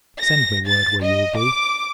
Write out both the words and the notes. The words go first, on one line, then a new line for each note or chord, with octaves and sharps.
Send me word where you will be.
A#6
A6
D#5
D6